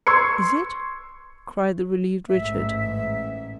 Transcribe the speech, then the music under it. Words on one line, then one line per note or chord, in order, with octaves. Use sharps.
"Is it?" cried the relieved Richard.
C6 C#6 E6 G#6 C7 C#7
A1 G#2 E5